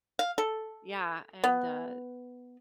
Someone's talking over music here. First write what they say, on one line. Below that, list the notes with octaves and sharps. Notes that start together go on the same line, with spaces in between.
yeah, and, uh
F5
A4
B3